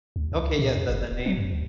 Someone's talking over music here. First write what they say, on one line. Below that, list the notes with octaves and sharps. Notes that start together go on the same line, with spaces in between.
Okay, yeah, the the name
D2
C#2
A#2
F2
G1
D1
F#3
F#2
D2